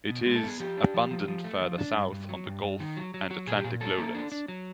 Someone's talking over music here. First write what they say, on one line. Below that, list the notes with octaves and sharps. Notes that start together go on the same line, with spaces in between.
It is abundant further south on the Gulf and Atlantic lowlands.
B2
G#3
A4
B3 G#4
F3 G4
D4
F3
F3
F3
A3
F3
D4
G2
G2
F#3
G2
G2
D#3
F#3
F#3
F#3 F#4
A#2 G#4
G4
A#2 G#4
F#3 A4
A#3
D4
D4
F#3